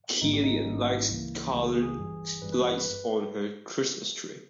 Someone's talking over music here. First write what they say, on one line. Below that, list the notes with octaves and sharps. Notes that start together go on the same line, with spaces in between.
Killian likes colored lights on her Christmas tree.
G#1 G#2 G3 A#3 D#4
G4
D#4
C#4
G#1 G#2 G3 A#3 D#4
E4
C#2 C#3 E3 A#3
C#2 C#3 E3 A#3 G4
G#4
G#4
G1 G2 E3 G3
G1 G2 E3 G3 B4
B4
B4
B4